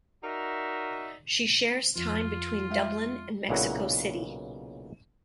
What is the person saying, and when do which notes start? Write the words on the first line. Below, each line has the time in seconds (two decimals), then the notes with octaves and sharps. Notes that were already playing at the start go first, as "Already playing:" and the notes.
She shares time between Dublin and Mexico City.
0.23 D#4 F#4 A#4 D5 E5
1.96 F2 F3 F4
2.70 G#3 E5 F5
3.49 B1 A#2 C#3 E4 F#5 A#5